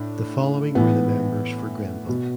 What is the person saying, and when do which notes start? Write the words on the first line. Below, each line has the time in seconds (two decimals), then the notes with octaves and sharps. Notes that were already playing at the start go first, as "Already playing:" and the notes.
The following were the members for Grenville.
Already playing: A2 D4
0.75 A2 E3 B3
2.09 B2